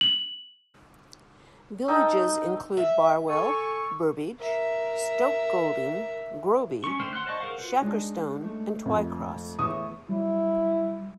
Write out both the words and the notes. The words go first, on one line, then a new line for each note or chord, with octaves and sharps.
Villages include Barwell, Burbage, Stoke Golding, Groby, Shackerstone and Twycross.
F#7
D#4 A4 D#5 G5
E5
A4 G#5 C#6
A#4 E5
C#4 C#6
D3 A3 C5 G5 F6
F#5 C6 F6 F#6
C5 D5 D#5 A5 C#6
G#4 A#4 C5 F5 F#5
F4 F#4 B4
G#3 D4 D#4
A3
F2
E2 A2 E5 C#6 D#6
F#3 G3 E4